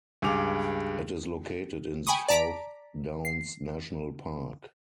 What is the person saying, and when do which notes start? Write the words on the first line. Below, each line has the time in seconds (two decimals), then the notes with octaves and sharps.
It is located in South Downs National Park.
0.22 C#2 G2 G#4 D6 F7
2.07 G5 G#5 B5 C#6 D#6
2.28 D5 A5 A#5 B6 D7
3.25 C7